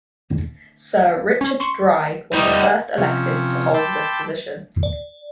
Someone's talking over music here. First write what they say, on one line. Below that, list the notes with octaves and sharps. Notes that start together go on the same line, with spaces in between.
Sir Richard Dry was the first elected to hold this position.
C#4
C6 C#6 C#7
G3 D#4 E4
F#5
C3 F3 C#4
G5 A5 B5 C6 D6 E6
D5